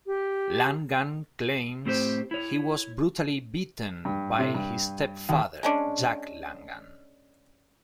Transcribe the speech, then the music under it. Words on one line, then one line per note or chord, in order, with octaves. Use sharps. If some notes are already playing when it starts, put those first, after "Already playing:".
Langan claims he was brutally beaten by his stepfather, Jack Langan.
G4
A2 C4 G4 C5
E4 C#5
G2
C3
G2
D#2
G#3 C#4 D4